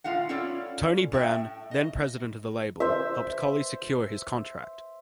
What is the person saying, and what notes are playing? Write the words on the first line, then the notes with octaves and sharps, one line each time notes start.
Tony Brown, then-president of the label, helped Collie secure his contract.
A2 F4 F5 F#5
C#4 E4 F4 A4 C#5 D5
A2 A3 E5 G5
D#5
C5 E5